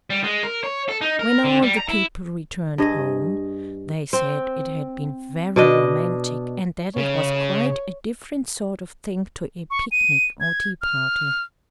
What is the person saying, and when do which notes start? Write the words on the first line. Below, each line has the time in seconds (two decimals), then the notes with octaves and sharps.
When all the people returned home, they said it had been very romantic, and that it was quite a different sort of thing to a pic-nic or tea-party.
0.10 G3
0.24 G#3
0.43 A#4
0.64 C#5
0.89 A4
1.01 D#4
1.19 A#4
1.44 D3
1.62 G3
1.77 A#5
1.89 E4
2.78 G2 G#4 D#5
4.13 C4
5.56 B2 D4 D#5
6.97 C#3 C#5
9.71 C#6
9.92 D#7
10.40 G#6
10.82 F6